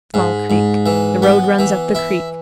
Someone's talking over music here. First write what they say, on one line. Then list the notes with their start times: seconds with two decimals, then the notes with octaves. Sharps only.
Small Creek.--The road runs up the creek.
0.14 G#2
0.50 G#2
0.86 E3
1.22 B3
1.59 E3
1.95 E4